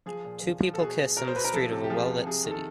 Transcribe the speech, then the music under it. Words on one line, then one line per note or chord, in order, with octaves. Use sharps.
Two people kiss in the street of a welllit city.
F3 G#4
A#2
F3
F3
A4
B2 G#4
B2
B2 A#4
C5
B2 B4
A#4
F3 A4
C3
G4
F3 G#4
C3
C3 G#4
D#3
A4